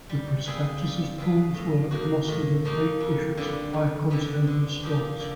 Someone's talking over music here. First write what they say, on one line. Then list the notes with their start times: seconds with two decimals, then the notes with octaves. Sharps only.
The prospectus of Poole's work mustered of eight bishops and five continental scholars.
0.10 G3
0.46 C4 F4 G#4 B4
0.82 G3
1.18 C4 F4 G#4 B4
1.54 A2
1.91 F3 A#3 D#4 F#4
2.28 A2
2.65 F3 A#3 D#4 F#4
3.00 F2
3.37 D3 G3 B3
3.73 F2
4.10 D3 G3 B3
4.47 D3
4.83 F3 A#3 D#4 G4
5.20 D3